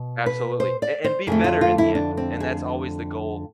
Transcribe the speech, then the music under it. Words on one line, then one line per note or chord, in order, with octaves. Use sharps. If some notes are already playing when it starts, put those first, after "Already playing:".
Absolutely, a and be better in the end, and that's always the goal,
Already playing: B2
B4
C5
D5
C5
F2 D3 A3 G#4
F4
F4
E4
D4
C4
G#4